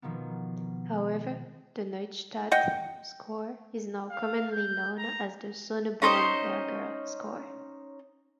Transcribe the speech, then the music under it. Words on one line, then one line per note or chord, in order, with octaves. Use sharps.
However, the Neustadtl score is now commonly known as the Sonneborn-Berger score.
B2 D#3 F3 A#3 B3
D#5 F#5 G5
F5
G6
A#5
C#4 D#4 C5 D#5